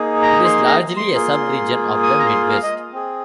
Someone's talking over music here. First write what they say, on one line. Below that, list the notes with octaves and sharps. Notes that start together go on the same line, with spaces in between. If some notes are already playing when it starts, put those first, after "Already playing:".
It is largely a sub-region of the Midwest.
Already playing: A#3 D#4 G#4
A#5
C6
A#5
C6
A#3 F4 G#4
D#6
A#5
C6
F5
D#5
C4 G#4